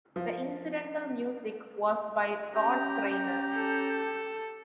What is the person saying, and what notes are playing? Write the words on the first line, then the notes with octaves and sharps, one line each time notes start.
The incidental music was by Ron Grainer.
F3
C#4 G4 A#5
A4